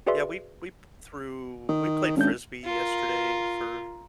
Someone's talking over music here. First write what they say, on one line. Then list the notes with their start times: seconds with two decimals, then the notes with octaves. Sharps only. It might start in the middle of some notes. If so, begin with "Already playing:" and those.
Yeah, we we p threw we played Frisbee yesterday for,
0.07 F#4 G#4 B4 D5 E5 C6
1.68 D#3
2.17 G#1 C#4 D4 G6
2.64 F4 A#4